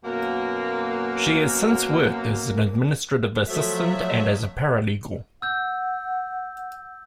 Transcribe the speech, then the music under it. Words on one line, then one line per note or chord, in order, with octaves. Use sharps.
She has since worked as an administrative assistant and as a paralegal.
F#2 B2 A#3
F3 F#3 A3 E5
F#5 E6 G6